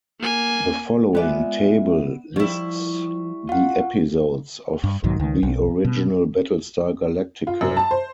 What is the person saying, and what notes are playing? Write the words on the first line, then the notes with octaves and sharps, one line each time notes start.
The following table lists the episodes of the original "Battlestar Galactica".
A#3 G#5
G#3 B3 F4 D5 E5 G#5
F3 G3 E4 C#6
F4 F5 F#5
G2
B1 G#2 D#3 F#3
C#2 D#3
B1
B2
F4
F#2
A5
C5